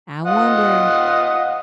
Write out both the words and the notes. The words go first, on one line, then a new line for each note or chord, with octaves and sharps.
I wonder.
F4 D#5 F#5